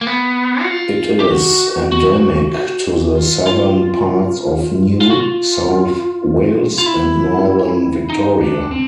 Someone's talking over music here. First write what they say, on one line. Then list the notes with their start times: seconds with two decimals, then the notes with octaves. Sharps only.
It is endemic to the southern parts of New South Wales and northern Victoria.
0.01 A#3
0.07 B3
0.62 F#4
0.69 F4
1.20 G4
1.30 F#4
1.92 F#4
3.15 F4
3.46 F4
5.01 F4
5.10 F#4
5.20 F4
6.78 F4
6.86 E4
8.10 D#4
8.41 D4
8.71 C4